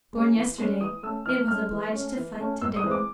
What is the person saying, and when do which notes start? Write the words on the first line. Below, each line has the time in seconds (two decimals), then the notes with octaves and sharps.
Born yesterday, it was obliged to fight to-day.
0.13 G#3 C#4
0.35 E3
0.58 G#3 C#4
0.80 E3 D#6
1.03 A3 C#4 E6
1.26 E3 F6
1.48 A3 C#4 F6
1.71 E3
1.93 A3 C#4
2.17 E3
2.39 A3 C#4
2.61 A2 E6
2.76 D#6
2.83 E3 G#3 C4
2.91 D6